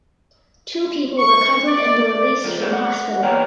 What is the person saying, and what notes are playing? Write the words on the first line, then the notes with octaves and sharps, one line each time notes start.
Two people recovered and were released from hospital.
C#6
D5
D5
C#3 F3 G#3
A4 C5 D5
F#5
E3 A#3 B3 A#4 C#5 G5